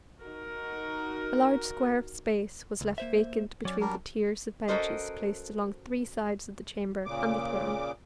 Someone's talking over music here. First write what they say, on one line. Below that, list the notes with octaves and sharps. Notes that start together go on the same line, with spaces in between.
A large square space was left vacant between the tiers of benches placed along three sides of the chamber and the throne.
D#4 F#4 A#4
C#2
A#3 C5 E5
F#3 C#4 D5
G3 D4 A#4
C#4 F#4 A4 A#4 C5 D#5
A#2 C#3 D6